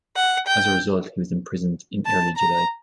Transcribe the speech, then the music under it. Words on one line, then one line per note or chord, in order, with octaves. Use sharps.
As a result, he was imprisoned in early July.
F#5
G5
A5
A#5